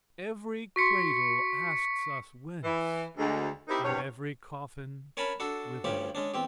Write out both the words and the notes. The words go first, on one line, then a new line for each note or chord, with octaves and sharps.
Every cradle asks us "Whence?" and every coffin "Whither?"
F#4 C6 C#6 B6 C#7
E3
D2 G#3
C4 D#4 E4 G4 A#4 C5
E2 G2 C3 C#5
C#4 A#4 C#5 G#5 A5 B5
D4 F#4 A4
D2 G2 F3 C#4 G4 D6
G#3 C#4 D4
E2 C4 G4